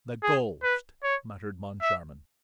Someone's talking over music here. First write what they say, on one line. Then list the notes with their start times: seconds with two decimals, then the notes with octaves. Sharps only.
"The ghost!" muttered Moncharmin.
0.23 G#4
0.63 B4
1.03 C#5
1.82 E5